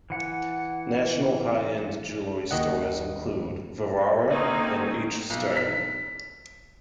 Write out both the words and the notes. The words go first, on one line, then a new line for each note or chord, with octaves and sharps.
National high end jewelry stores include Vivara and H Stern.
E3 F#5
D#2 D#3 D#5 F#5
D3 A#3 C4 C#4 D#4
B1
B6